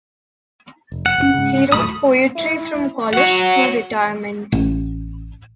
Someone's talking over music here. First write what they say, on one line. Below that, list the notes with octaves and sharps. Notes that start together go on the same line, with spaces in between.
He wrote poetry from college through retirement.
F1
F#5
F#1 A#2 C#4
G#2 C#3
D#1 A2 F#3 A3 B5 D#6
E4
F#4 C#5 F#5
A1